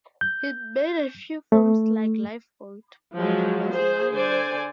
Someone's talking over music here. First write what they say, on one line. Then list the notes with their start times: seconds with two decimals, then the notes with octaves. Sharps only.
He'd made a few films, like "Lifeboat", but he was not a name.
0.21 G6
1.52 A3
3.15 F3 F#3 G#3
3.70 G#4 C5
4.12 D3 C5 D5 G#5